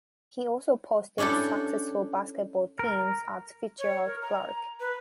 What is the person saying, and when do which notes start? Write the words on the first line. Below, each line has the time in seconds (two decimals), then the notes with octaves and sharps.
He also posted successful basketball teams at Fitzgerald-Clarke.
1.18 C#4 D4 E4 G4 A4
2.79 A#4
3.79 C#5
4.05 A#4
4.22 A#5
4.80 B4